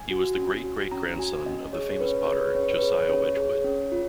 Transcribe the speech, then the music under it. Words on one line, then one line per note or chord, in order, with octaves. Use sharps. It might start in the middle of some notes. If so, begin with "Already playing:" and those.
He was the great-great-grandson of the famous potter Josiah Wedgwood.
Already playing: G#5
F#4
C#4
F#4
C#4 A#5
F#4 G#5
C#4 D#5
G#4 C#5
C#4 B4
C#5
B4
C#5
G#4
B4
C#5
B4
C#4 C#5
B4
C#5
B4
G#4 C#5
B4
C#4 C#5
G#4
C#4
F4